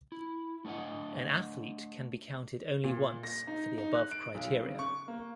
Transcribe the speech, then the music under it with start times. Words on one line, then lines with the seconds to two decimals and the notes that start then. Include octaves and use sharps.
An athlete can be counted only once for the above criteria.
0.12 E4
0.65 A3 D4 B4 D#5 F#5
2.84 A#2
3.23 A#6
3.47 D#4
3.78 D#4
3.95 F#6
4.12 D7
4.35 B1
4.65 C#3
4.79 C#6
5.08 A#3